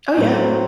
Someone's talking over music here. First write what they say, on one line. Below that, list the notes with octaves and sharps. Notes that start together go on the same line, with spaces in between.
Oh, yeah.
A2 F#3 C4